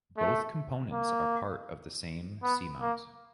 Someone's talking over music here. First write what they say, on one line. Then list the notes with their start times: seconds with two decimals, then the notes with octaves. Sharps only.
Both components are part of the same seamount.
0.17 A3
0.92 A#3
2.43 B3
2.81 A#3